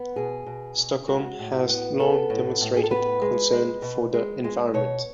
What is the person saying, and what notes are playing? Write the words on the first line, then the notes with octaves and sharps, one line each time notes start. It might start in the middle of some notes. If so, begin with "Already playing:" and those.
Stockholm has long demonstrated concern for the environment.
Already playing: B3
B2 G#4
B2
B2
G#3 F#4
A2
B3
B3 A4
A2
A2
G#4
A4
B3 B4
G#3
G#3
B2
G#3
G#3
B2 C#5